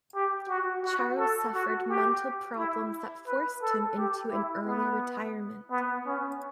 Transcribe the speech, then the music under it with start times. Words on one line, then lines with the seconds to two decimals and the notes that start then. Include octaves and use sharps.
Charles suffered mental problems that forced him into an early retirement.
0.15 G4
0.49 F#4
0.84 F#4
1.19 A4
1.54 F#4
1.89 G4
2.57 E4
3.27 B4
3.63 A4
3.98 G4
4.32 E4
4.66 B3
5.71 B3
6.06 C#4